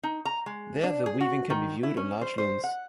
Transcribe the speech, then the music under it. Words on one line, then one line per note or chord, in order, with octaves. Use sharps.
There the weaving can be viewed on large looms.
D#4
A#5
G#3
D4
G#4
F#4
D#3
E4
C#4
C5
C5
F#5